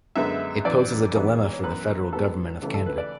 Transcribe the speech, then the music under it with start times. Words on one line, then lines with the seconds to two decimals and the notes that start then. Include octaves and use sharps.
It poses a dilemma for the federal government of Canada.
0.16 F#2 D3 G#3 B3 E5
0.65 F#2 E3 B3 D5
1.14 G#2 E3 G#3 B3
1.52 C#5
1.63 F#2 E3 B3 B4
2.13 G#2 F#3 B3 A4
2.62 C#2 C#3 E3 A3
2.74 A4
2.86 B4
2.98 D5